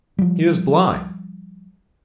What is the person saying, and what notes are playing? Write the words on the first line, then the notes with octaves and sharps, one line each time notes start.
"He is blind."
F3 G3